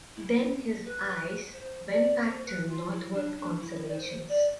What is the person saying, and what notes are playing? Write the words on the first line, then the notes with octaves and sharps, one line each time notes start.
Then his eyes went back to the northward constellations.
E4
B4
C5
D5
C5
B4
F4
E4
D4
D4
E4
D5
C5
D5